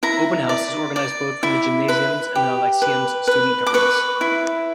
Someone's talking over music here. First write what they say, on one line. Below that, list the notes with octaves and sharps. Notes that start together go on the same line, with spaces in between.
Open House is organized both from the Gymnasium's and the Lyceum's student governments.
E4 A#5
D5
D5
E4
B4 B5
G4
B4
B4
D6
B4 C#6
E4